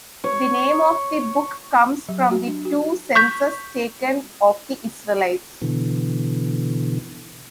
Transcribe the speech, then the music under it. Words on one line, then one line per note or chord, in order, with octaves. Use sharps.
The name of the book comes from the two censuses taken of the Israelites.
C#5
F#3
F#4
D4
F#4
C#6 G6 B6
B2 D3 E3